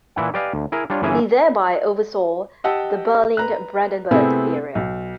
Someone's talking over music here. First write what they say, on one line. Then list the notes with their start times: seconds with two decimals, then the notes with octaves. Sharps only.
He thereby oversaw the Berlin-Brandenburg area.
0.16 A#2 E3 E4 F#5
0.34 G4 B4 D5 D#5 F5 G#5
0.54 D2
0.72 E4 G#4 A#4
0.90 G3 D4 F4 C#5
1.02 G1 E3 C#4 G#4 A#4 E5
2.64 G4 D#5 F#5 G5 A5 E6
3.37 B4 A#5 F#6
4.11 C3 A3 B3 C4 E4 G#4
4.75 B1